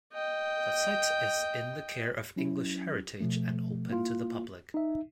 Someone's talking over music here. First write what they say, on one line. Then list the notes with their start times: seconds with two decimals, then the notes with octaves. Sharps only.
The site is in the care of English Heritage and open to the public.
0.13 D#5 G5
2.36 F#3 C#4 E4
3.20 B2 F3 A3
3.90 A#3 E4 F4
4.74 D#4 E5